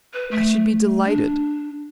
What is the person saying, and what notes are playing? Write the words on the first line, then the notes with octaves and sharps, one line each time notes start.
"I should be delighted."
B4
A3
D4